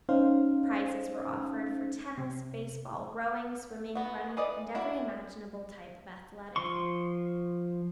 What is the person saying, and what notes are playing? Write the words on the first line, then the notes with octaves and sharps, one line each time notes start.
Prizes were offered for tennis, baseball, rowing, swimming, running, and every imaginable type of athletic feat.
C#4 D#4 C5 F5
C3
B3 F#4
E3 B4 D5 D#5
D4 E4 F#4
F3 C6 C#6